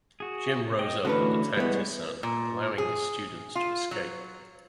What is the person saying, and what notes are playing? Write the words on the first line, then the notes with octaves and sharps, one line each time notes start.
Jim rose up and attacked his son, allowing his students to escape.
F#4 G#4
D#5 G5
D3 E3 A3 C#4 F#4 B4
E3 G3 G#3 B3 C#5
A#2
G#4
F4
F#3